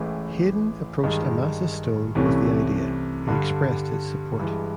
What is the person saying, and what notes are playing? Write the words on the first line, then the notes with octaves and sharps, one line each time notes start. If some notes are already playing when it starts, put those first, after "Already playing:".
Haydn approached Amasa Stone with the idea, who expressed his support.
Already playing: A1 A2 E3 G#3
G2 D#3 G#3
C2 C3 E3 A3 C#4
G2 D3 G3
G2 E3 G#3